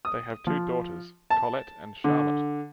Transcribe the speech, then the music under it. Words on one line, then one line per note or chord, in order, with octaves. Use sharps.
They have two daughters, Colette and Charlotte.
D#6
F3
A5
D3